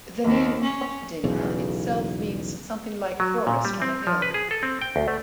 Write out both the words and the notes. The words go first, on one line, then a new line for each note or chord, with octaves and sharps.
The name "Uppvidinge" itself means something like forest on a hill.
D#2
C#4
B1 E2 C#3
F#3
A#2
G3
C4
F3
B4
G#4
A4
C4
G5
D2
A3